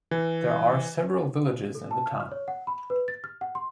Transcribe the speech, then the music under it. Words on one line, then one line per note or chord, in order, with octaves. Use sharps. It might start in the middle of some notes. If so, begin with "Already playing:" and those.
There are several villages in the town.
E3
A4
A5
F6
F6
C#5
F#5
B5
B4
A6
F6
F#5
C6